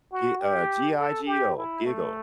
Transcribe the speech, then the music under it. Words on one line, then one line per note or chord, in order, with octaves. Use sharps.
g uh, G-I-G-O, GIGO.
F#4
G4
A4
G4
E4
A3